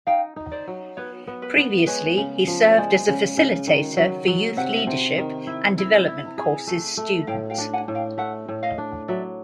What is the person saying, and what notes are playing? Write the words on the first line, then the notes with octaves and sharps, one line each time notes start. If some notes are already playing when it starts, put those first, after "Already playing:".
Previously, he served as a Facilitator for youth leadership and development courses students.
D#4 F5 G5
D#4
C5 D5
F#3
B3 B4 C#5
B3
B4
B3
G#3 B4 C#5
C#3
F3
C#5
G#3 C5 D5
C#3
C#3
D#3
F#3
F#3
C3 E5 F#5
C3
D#3
E4
E4
E4
G#4
A3
A3
A2 F5 G5
F5 G5
D4
F#5 G#5
A2
F5 G5
A3 E5 F#5
A2
D#5 F5
D4
F#3 D5 E5